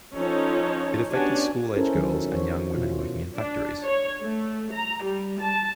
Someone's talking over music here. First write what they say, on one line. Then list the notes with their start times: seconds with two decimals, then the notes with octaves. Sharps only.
It affected school-age girls and young women working in factories.
0.14 F3 C#4 D#4 F4 A4 C#5
1.10 B3 C#4 D4 F#4 G4 G#5
1.76 C#4 E4 A4 A#4 C5
1.95 D#3 F#3
2.33 F#4 C5 C#5
2.74 B2 E4 F4
3.38 D4
3.84 C#5
4.22 A3
4.72 A#5
5.04 G3
5.41 A5